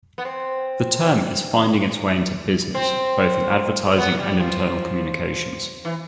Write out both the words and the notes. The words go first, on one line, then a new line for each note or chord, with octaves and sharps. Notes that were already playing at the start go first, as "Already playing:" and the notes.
The term is finding its way into business, both in advertising and internal communications.
B3
C4
C4
B3
G3
F3
E3